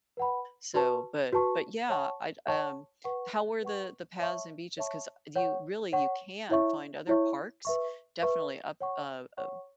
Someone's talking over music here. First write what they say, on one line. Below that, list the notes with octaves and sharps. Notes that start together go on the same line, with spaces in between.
So, but but yeah, I'd um, how were the the paths and beaches, 'cause, uh do you really you can find other parks definitely up uh uh
B4 F#5 B5
F#4 B4 A5 C#6
F#4 B4 A5 C#6
C#5 F#5 A5 C#6
C#5 F#5 A5 C#6
B4 F#5 C#6
B4 F#5 C#6
C#5 E5 A5 C#6
C#5 E5 A5 C#6
C#5 F#5 C#6
C#5 F#5 C#6
E4 C#5 E5 C#6
E4 C#5 E5 C#6
B4 E5 C#6
B4 E5 C#6
C#5 F#5 C#6
C#5 F#5 C#6